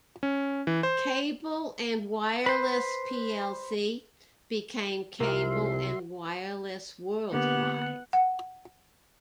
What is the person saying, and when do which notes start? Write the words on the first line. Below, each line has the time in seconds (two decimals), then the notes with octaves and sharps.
Cable and Wireless plc became Cable and Wireless Worldwide.
0.23 C#4
0.67 E3
0.83 C5
2.46 B4 C5
5.20 C2 C3 F3 G3 A#4 E5 C6
7.33 D3 A#3 B3 G4 F#5
8.13 F#5